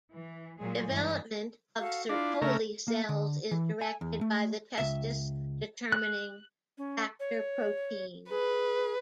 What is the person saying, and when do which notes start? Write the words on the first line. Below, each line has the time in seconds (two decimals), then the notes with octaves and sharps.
Development of Sertoli cells is directed by the testis-determining factor protein.
0.14 E3
0.58 A#2 F#3 G#3 G#4
0.89 G2 E3 G#3
1.77 F#4 A4 F5
2.09 D4 E4 F4 F5
2.42 C#3 A3 A#4 E5
2.88 A#3
3.09 D3
3.51 E3
3.81 G#5
4.01 E2
4.21 A3
4.78 C#2 E5
5.92 F#6
6.78 C#4
7.20 C#5
8.30 G#4 B4